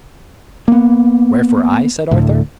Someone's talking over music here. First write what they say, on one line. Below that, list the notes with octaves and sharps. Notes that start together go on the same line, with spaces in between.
"Wherefore I?" said Arthur.
A#3 B3
D2 A2 D3